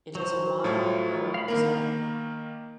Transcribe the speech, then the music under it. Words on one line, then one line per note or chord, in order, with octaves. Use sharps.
It is a wine-growing zone.
F#3 C5
A2 F4 C#5
F5 B5
D#3 A#3 A#4